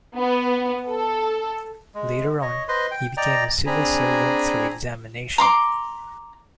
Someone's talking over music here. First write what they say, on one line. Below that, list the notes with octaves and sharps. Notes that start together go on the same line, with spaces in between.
Later on, he became a civil servant through examination.
B3
A4
G#3
C#5 D#5
B4 C5 D#5 C6
G5
D5 D#5 G5 A#5
C4 D4 G#4 G#5 A#5 B5
A#5 C6 D6